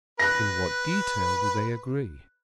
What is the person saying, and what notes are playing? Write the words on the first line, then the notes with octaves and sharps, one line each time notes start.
In what details do they agree?
B4 F#6 A#6